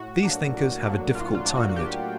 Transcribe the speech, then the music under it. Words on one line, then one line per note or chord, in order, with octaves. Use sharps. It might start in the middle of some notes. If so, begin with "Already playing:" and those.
These thinkers have a difficult time of it.
Already playing: A2 F#4
F#3 A#3 D4
A2
F#3 A#3 D4
A2 F4
F4
F#3 A#3 D4
F#4
F#4
A2 G4